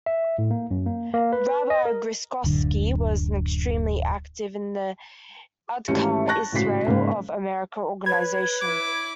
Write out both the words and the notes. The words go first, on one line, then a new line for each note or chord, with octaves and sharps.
Rabbi Grozovsky was extremely active in the Agudath Israel of America organization.
E5
A2
A#3
F#2
A#3
A#3
B4
D#5
A#4
D1 F#2 D3
G#1 E3 A3 C#4 G4 C#7
A5 C#6 F#6 A#6
G#1 A2 C#3 F#4 B6 C7
G#2 C#3 G#3 A#3
B4 C#5 B5 G#6
E4 D6